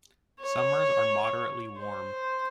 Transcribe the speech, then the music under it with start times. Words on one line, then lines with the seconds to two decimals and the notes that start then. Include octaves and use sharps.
Summers are moderately warm.
0.42 C#5
1.80 C5